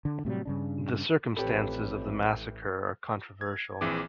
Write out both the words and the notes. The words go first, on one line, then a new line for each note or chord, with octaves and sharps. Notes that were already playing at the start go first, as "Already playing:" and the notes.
The circumstances of the massacre are controversial.
D3
A2 C3 F#3 G3
G2 C#3 D4
A1 F2 E3 G4 A4 B4 C#5 B5
G#6
A#1 E3 C4 G#4 D6